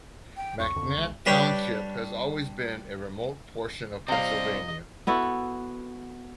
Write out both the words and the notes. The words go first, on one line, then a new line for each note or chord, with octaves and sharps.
McNett Township has always been a remote portion of Pennsylvania.
G5
B1 F2 C#6
D1 F2 D3
B1 D#3 G#3
G3 D4 B4 C#5 G5
C3 G3 C4 D#5 F5
B3 E4 F#4 A4